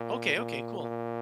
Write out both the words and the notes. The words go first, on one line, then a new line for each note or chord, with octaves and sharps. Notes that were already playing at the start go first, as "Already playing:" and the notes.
Okay, okay, cool.
Already playing: A#2
A#2
A#2